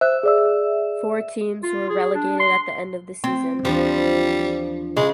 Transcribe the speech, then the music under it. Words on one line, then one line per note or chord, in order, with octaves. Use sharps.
Four teams were relegated at the end of the season.
C5 E5 F#6
G#4 D5 E6
F4
G#4
D4
C6
C4
D#2 E3 F3 G3 D4
C#3 G#3